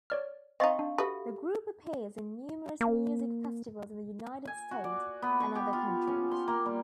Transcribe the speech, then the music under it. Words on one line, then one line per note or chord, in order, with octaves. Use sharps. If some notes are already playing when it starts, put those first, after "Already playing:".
The group appears in numerous music festivals in the United States and other countries.
C#5 D5 F6
C4 D#4 D#5 F5 G5 C#6 A6
D4
F#4 G4 A4 B4 E5
A#3
G#5
F#4
D5
B3
C#6
G4
F4
C#4
C6
A#3
G3